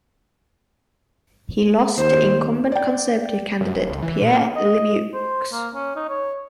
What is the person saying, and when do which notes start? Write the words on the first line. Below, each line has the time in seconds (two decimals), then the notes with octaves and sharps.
He lost to incumbent Conservative candidate Pierre Lemieux.
1.97 D#2 C5
2.72 D5 G5
3.61 F#2
3.75 D#1
3.89 C#2
4.02 E3
4.21 A#2
4.33 A#3
4.56 D#5
5.14 C5
5.53 A#3
5.75 C#4
5.96 D#4
6.09 C#5